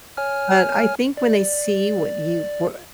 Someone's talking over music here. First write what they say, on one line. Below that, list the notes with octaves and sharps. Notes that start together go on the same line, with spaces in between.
But I think when they see what you we
C#5 G#5 F6
D5